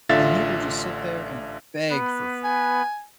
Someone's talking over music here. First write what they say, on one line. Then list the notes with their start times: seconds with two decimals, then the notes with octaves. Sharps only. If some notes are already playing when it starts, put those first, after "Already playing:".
and he will just sit there and beg for food.
0.09 A1 D3 F4 E5 A6
1.90 B3 B4
2.44 G#5